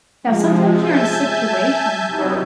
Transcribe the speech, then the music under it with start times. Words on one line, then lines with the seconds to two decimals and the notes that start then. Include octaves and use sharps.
Now sometimes you're in situations where
0.23 C3 F3 G#3
0.75 E5 G#5 A5 G6
2.06 C3 F#3 G3 D#4 E4